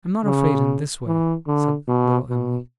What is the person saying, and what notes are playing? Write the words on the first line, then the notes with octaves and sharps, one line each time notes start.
'I'm not afraid in this way,' said little Em'ly.
C#3
E3
D3
B2
B2